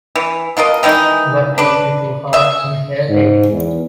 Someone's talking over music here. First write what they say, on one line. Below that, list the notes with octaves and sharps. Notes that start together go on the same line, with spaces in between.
But don’t be too hard on her, Heidi.
E3
B2 F4 A#4 D#5
D#3 E3 G#3 D#4
D4 B4
G#4 E5
G#2
E2